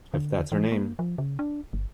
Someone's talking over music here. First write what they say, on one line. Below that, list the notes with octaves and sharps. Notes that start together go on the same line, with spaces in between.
If that's her name.
D3
E3
A#3
F3
C#3
D4
G1